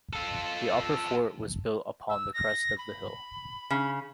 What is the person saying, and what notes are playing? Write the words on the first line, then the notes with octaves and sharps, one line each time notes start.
The upper fort was built upon the crest of the hill.
F4 A4
E6
A#6
B5
C#3